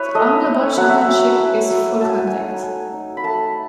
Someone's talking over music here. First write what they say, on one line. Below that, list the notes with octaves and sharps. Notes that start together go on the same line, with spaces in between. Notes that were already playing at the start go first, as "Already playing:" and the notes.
The Angleball Championship is full contact.
Already playing: E4 B4 C#5
A3 D#5
E4
F#3 F#5
E5
F#5
C#4
E4
F#3
A3 A5
G#5
F#5
D#4 G#5
A3
D#4
B5
A3 A5